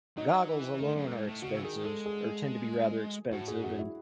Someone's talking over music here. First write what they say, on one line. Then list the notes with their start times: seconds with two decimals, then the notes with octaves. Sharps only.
goggles alone are expensive or tend to be rather expensive and,
0.17 F#3 D#4
0.48 E3
0.80 D#3 A3
0.95 F#2
1.11 G#2
1.26 A2
1.42 C#3 F#4
1.57 E3
1.63 D#3 G#4
1.84 G#3 A4
2.06 G#4
3.31 A2 F#4
3.48 G#2 G#4
3.63 F#2 F#4
3.79 E4